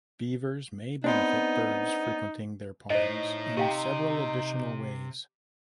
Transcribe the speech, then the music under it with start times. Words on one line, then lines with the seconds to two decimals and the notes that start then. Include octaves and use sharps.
Beavers may benefit birds frequenting their ponds in several additional ways.
1.04 B3 C4 D4 D#4
2.90 A2 D#4 C5 D#5
3.57 C3 G4 F5 G5